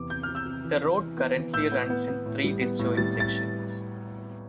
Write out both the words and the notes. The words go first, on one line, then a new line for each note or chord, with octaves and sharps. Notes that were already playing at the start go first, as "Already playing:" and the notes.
The road currently runs in three disjoint sections.
Already playing: E2 C3 E3 D6
C3 G6
C3 F6
E6 G6
C3
E3
E3
E3
B3
E3
A2 E6 G6
B3
B3
B3
A2
G3
B3
A2
G3 A6
A2 A6